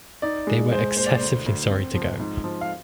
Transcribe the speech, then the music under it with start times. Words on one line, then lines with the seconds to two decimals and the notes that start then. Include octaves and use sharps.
They were excessively sorry to go!
0.22 D#4 D5
0.47 G#3
0.72 G#3 C5
0.96 A#2 C5
1.06 D5
1.16 D2 C5
1.46 D2
1.70 C4
1.95 F3
2.20 G#2
2.44 F3
2.61 F5